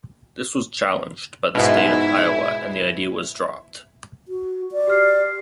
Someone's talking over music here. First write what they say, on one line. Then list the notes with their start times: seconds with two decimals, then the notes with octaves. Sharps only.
This was challenged by the state of Iowa, and the idea was dropped.
1.55 G#2 B2 E4
4.28 F#4
4.72 D5
4.87 G4 F6 C7